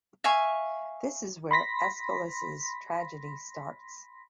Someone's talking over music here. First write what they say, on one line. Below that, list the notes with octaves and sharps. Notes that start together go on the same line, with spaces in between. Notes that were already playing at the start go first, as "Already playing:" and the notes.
This is where Aeschylus' tragedy starts.
E5 F5 G#5 C#6
B5 C6 A#6 B6